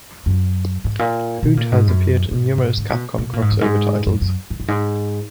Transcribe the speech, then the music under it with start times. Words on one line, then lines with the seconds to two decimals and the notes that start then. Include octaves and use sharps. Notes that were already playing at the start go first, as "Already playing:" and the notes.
Hood has appeared in numerous Capcom crossover titles.
0.26 F#2
0.84 G#2
0.99 A#2
1.43 B2
1.57 A#2
1.72 G#2
1.87 F#2
2.31 G#2
2.77 D3
2.89 B2
3.18 B2
3.33 A#2
3.42 G#2
3.51 F#2
3.61 G#2
4.07 F#2
4.21 F#2
4.50 G#2
4.60 F#2
4.68 G#2